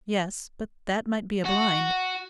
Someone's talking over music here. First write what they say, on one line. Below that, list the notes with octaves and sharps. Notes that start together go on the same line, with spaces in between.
"Yes; but that might be a blind."
F#4